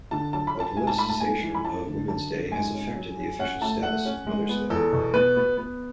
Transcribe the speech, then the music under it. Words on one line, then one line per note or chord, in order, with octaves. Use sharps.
The politicization of Women's Day has affected the official status of Mother's Day.
D3 A5
F#3 A5
B5
C#4
A5
G#2 G#5
A5
A3 B5
A5
G#2 G#5
E3
B5
C#4 A5
D3
F#3 A5
F#3
G#2 G#5
C#4
F#3
F#3
C#4 F#5
A3 A5
A3 F#5
C#4
G#3
B3
E2 A4
B2
B3 B4
B3
B3